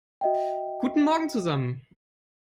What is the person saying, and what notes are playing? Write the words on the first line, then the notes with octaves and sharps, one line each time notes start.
Guten Morgen zusammen!
F#4 D#5 E5 G5